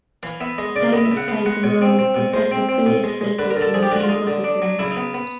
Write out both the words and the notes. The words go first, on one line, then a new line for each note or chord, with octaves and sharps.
Davis played the role of Professor Filius Flitwick in the "Harry Potter" films.
E3 F5
B3 E5
G#3 D#5
C#3 D5
B3 D#5
E5
C#3
F#5
B3 F5
G#3 F#5
B2 C#5
C4
C4
B2
G#3 C5
C4
C4
B2
G#3
G#3
D3 B4
A#4
D3
A4
F3 G#4
G4
D3 F#4
F4
G#3 D#4
D3
D4
F#3
C#3 E4
D#4
B3
B3